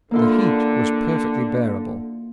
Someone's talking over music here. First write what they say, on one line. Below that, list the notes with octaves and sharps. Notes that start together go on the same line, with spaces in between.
The heat was perfectly bearable.
D3 A#3 E4 F4